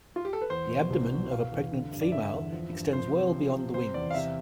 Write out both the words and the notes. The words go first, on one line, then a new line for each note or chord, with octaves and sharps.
The abdomen of a pregnant female extends well beyond the wings.
F4
G4
A4
B4
E2 C5
B2
C2
B2
B2 F5
E2
D3
G2
D5
D3 E5
E2
F3
G2
F3 C5
C3
F3
C3
C3 C5
E2 D5
F5
C3 E5